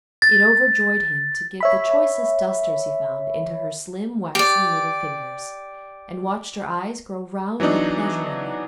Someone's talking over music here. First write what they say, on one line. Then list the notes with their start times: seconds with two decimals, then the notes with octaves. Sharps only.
It overjoyed him to give the choicest dusters he found into her slim, waxen little fingers, and watch her eyes grow round with pleasure in them.
0.22 A6
1.60 C#5 E5 B5
4.35 G4 D5
7.60 E3 F#3 B3 D4 D#4